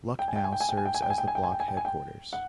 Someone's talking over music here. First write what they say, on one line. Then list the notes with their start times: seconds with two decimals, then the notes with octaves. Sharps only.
Lucknow serves as the block headquarters.
0.19 G5
0.28 G#5
0.36 G5
0.44 G#5
0.52 G5
0.60 G#5
0.69 G5
0.77 G#5
0.86 G5
0.94 G#5
1.02 G5
1.10 G#5
1.18 G5
1.28 G#5
1.35 G5
1.43 G#5
1.52 G5
1.60 G#5
1.68 G5
1.77 G#5
1.85 G5
2.33 F#5